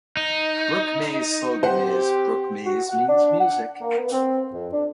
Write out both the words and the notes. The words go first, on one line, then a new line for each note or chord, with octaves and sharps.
Brook Mays' slogan is "Brook Mays means music".
D#4
C4 G4 C5 F#5
F#4
F#5
D4
F#5
A#3
B3
C4
F2
D4